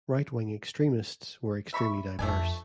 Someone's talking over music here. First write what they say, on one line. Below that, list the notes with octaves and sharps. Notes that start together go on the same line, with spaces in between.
Right-wing extremists were extremely diverse.
E5 B5 C#6
F2 A3 D4 G#5